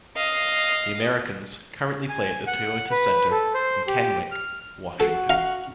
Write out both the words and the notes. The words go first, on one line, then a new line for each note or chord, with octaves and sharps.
The Americans currently play at the Toyota Center in Kennewick, Washington.
D#5 F5
G#5
F#5
B4
A4
C5
G4
F6
F#4 A4
F5 F#5 A#5